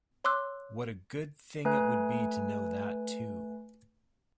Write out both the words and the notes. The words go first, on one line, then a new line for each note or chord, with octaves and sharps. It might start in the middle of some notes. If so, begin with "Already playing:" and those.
What a good thing it would be to know that too!
C#5 C6 D6 E6 F#6
A3 B4 G#5